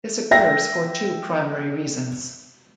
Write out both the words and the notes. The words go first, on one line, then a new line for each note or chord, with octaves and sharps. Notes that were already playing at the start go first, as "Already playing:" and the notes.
This occurs for two primary reasons.
E5 G5 A#6